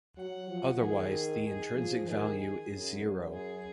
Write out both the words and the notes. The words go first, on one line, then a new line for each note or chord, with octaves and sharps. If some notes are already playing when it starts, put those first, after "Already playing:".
Otherwise the intrinsic value is zero.
F#3 F#5
F3
D#3 G#4
G#4
F3
D#3 G#4
G#4
F#2
G#4